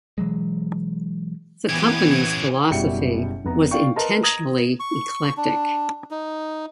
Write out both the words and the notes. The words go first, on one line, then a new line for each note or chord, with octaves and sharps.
The company's philosophy was intentionally eclectic.
B2 E3 F#3 G#3
E3 B3 C#4 G4 G#6 D#7
F#1 B2 G3 E4 G5 C#7
F1 B3 A#5
D5 F5 G5 C#6
A#4 B4 D#5 A5 A#5 C6
A#5 D#6 G#6 A#6
C#6
D4
D#4